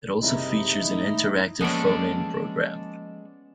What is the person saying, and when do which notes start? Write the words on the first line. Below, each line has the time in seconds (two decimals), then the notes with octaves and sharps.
It also features an interactive phone-in programme.
0.22 F#1 C3 G3 D#4 E4 D#5
0.92 A2 D#3
1.61 F3 G#3 A#3 B3 C#4 A4 D5